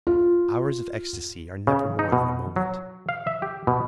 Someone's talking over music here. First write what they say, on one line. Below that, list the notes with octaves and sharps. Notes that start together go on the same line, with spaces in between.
Hours of ecstasy are never more than a moment.
F4
C#3
D#4
B2
F#3
F5
E5
G4
B2